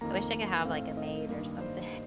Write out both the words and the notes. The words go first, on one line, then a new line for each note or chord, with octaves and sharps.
I wish I could have, like, a maid or something.
F2 D#3 A#3 A#5
A2 A3 C4 F5
D#5
G2 D#3 G3 A#3
C5